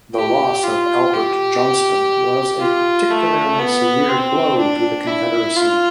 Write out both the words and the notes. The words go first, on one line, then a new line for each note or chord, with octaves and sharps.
The loss of Albert Johnston was a particularly severe blow to the Confederacy.
G4
F4
G4
F4
A3
B3
C4
D4
E4
F4